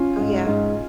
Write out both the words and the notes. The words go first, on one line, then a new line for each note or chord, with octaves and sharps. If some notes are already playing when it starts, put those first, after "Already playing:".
Oh yeah.
Already playing: C#4 F4
G#2
G#2